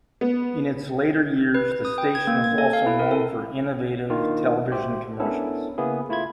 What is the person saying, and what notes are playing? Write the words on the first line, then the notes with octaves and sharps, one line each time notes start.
In its later years, the station was also known for innovative television commercials.
B3
B4
B4
D#6
G5
G#6
A#3
G#6
A4
F5
E4
A#4
A4
D#3 A#3 D4 F4
F#4 G4 C5 E5
B3 C#4 D4 E4 A4 A#4
C#3 A#3 B3 E4 G#4
A3 E4 F4 B5 G#6